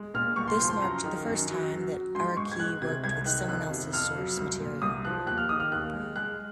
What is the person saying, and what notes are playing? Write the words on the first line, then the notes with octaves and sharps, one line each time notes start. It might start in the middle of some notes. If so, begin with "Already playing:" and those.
This marked the first time that Araki worked with someone else's source material.
Already playing: G#3
A#2 F6
C2 C#6
C6
F3 C6
C6
F#2 A#5
D#3
F#2
F#3
F#3
F#3
G#2 C6
G#2 C#6
G#6
G#3 F#6
C3 G#6
C2 G#6
D#3 F#6
F2 F#6
C3
F2 F6
F#3
C2
A#2
C2 D#6
F3 F#6
D#2 F#6
F6
D#3 D#6
F6
D#2 F#6
G#3
G#3 F#6